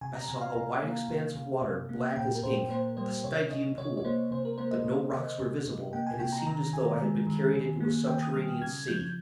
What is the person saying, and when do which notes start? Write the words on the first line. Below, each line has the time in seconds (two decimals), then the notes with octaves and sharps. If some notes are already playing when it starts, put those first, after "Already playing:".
I saw a wide expanse of water, black as ink--a Stygian pool; but no rocks were visible, and it seemed as though I had been carried into a subterranean sea.
0.01 C3 G#5
0.15 A#5
0.28 C3 G#5
0.41 F5
0.55 C3
0.82 A#3
1.08 C3
1.35 C3
1.62 C3
1.89 A#3
2.16 A#2 G5
2.35 A#4
2.43 A#2 C5
2.70 A#3 C5
2.97 G3 C5
3.24 C3 C#5
3.50 C3 D#5
3.78 C3 C#5
3.97 C#5
4.05 A#3 C5
4.31 C3 C5
4.45 A#4
4.58 A#3 C5
4.71 D#5
4.85 C3
5.12 C3
5.39 C3
5.66 C3
5.93 A#3 G5
6.07 G#5
6.19 C3 G5
6.32 A#5
6.47 D#3 A#5
6.73 D#3 G#5
7.01 G#3
7.27 D#3
7.53 D#3
7.80 A#3
8.07 D#3 G5
8.22 D#6
8.34 G3 F6
8.62 C#3 G#6
8.88 F3 G6